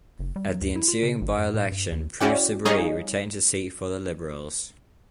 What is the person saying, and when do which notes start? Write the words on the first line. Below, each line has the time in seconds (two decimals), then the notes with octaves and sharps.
At the ensuing by-election, Prue Sibree retained his seat for the Liberals.
0.19 F#1
0.36 G3
0.49 F#3
0.61 D2
0.76 E4
0.88 F4
1.03 C#3
1.21 G#1
1.37 F#2
1.54 A2
1.72 G2
1.92 D#2
2.20 C#4 E4 F#4 D5 G5
2.65 G3 D#4 G#4 C#5 D#5 F5